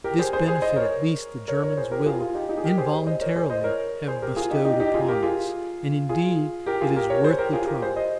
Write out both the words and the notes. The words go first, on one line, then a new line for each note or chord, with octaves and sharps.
This benefit at least the Germans will, involuntarily, have bestowed upon us, and indeed it is worth the trouble.
G4 A#4
G#4 C5
G#4 C5
G#4 C5
C5 D#5
A#4 C#5
A#4 C#5
A#4 C#5
G#4 C5
G4 A#4
F4 G#4
F4 G#4
D#4 G4
D#4 G4
G#4
G4 A#4
G#4 C5
G#4 C5
C5 D#5
A#4 C#5
G#4 C5
C5 D#5
A#4 C#5
G#4 C5
G4 A#4
F4 G#4
D#4 G4
D#4 G4
D#4 G4
F4 G#4
G4 A#4
F4 G#4
F4 G#4
G4 A#4
F4 G#4
G4 A#4
A#4 C#5
G#4 C5
G4 A#4
F4 G#4
G4 A#4
G#4 C5
C5 D#5